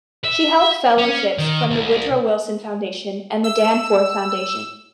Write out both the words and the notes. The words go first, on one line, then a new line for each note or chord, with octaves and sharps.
She held fellowships from the Woodrow Wilson Foundation and the Danforth Foundation.
E5
C#4
D#3
C2
E6